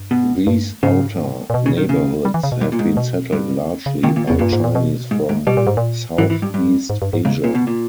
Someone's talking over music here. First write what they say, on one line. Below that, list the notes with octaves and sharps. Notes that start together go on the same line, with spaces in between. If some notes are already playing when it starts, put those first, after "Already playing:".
These outer neighborhoods have been settled largely by Chinese from Southeast Asia.
Already playing: G2
B2
G2
G#2 C#3
A#2
B2
C#3
D#3
C#3
G3
E3
C#3
B2
G2
A#2
G#2
B2
G2
C#3
A#2 D#3
A#2
B2
E2
G2 A#2
G#2
A#2
B2
G#2
G#2
B2 G3
A#2
G#2
A#2
G#2 E3
E3
G2
G2
G#2
G2
G#2
G#2 C#3
A#2
B2
A#2